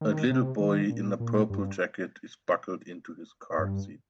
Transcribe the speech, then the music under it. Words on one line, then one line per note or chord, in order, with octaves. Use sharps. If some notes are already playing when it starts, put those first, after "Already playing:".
A little boy in a purple jacket is buckled into his car seat.
D#3
C3
D#3
A#2
A#2
G2
G2